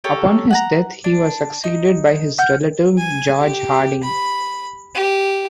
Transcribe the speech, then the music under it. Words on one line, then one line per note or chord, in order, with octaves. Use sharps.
Upon his death he was succeeded by his relative George Harding.
G4 A4 A#4 C#5
F#5 G#5 A#5
D4
D#4
F#5 F6 G6
G#5
G4
B5
G4